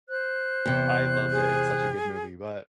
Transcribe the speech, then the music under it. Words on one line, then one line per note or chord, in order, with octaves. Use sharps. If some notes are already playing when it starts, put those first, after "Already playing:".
I loved it, it's such a good movie, but
C5 F#6
E2 C3
G#4